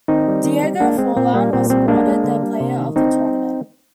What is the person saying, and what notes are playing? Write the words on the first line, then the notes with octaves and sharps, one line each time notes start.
Diego Forlan was awarded the Player of The Tournament.
D#3 C4 D#4
G3
D#3
G3
G#3 A#3 D4
G#3 C4
A#2 C4
G3 A#3
A#2 C4
G3 C4
G#3 A#3 D4
G#3
D3
G3
C3
D#3
D3 C4 D#4